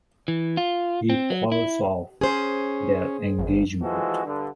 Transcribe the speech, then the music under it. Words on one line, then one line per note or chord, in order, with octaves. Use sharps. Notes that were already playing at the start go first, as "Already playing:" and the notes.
He calls off their engagement.
E3
F4
C4
F#3
E4
C#4 G#4 C5
G#1
A#1 E3 F3 G#3 F#4 A4
G2 D3